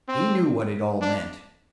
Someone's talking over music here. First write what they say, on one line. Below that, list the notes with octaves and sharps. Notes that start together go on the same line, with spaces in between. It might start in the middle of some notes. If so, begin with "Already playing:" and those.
He knew what it all meant.
C4
D4